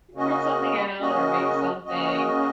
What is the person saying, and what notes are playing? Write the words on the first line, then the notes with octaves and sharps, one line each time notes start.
print something out or make something
C#3 A#3 C#4 F#4 D#5
C#3 A#3 C#4 F#4 D#5
C#3 A#3 C#4 F#4 D#5